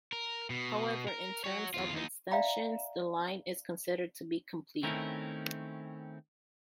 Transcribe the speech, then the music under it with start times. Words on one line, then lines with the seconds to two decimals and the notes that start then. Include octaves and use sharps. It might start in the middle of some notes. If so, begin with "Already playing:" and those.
However, in terms of extensions, the line is considered to be complete.
0.13 A#4
0.50 B2
1.08 A#4
1.44 F#4 C#5
1.74 E2 F4
1.93 D#2 D#4
2.31 D5 E5 F5 G5 A#5 B5
4.83 D#3 A3 C4 C#4 E4 A#4